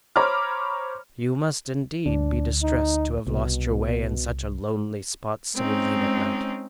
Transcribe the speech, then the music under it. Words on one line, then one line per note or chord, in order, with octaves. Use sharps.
You must indeed be distressed to have lost your way in such a lonely spot so late at night.
C5 C#5 A#5 B5 D6 F6
D2 D4
D#4
C2 B2
G#3 C4 C#4 D#4